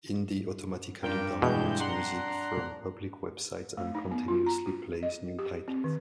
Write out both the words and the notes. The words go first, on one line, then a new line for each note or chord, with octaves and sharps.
Indy automatically downloads music from public websites and continuously plays new titles.
G2 F4 A#4 G5
B2 E3 G#3 G6
D4 F#5 A#5 C6
A3
D#4
B3
F4
A#5
F#4
D#5
G4
C4
D#3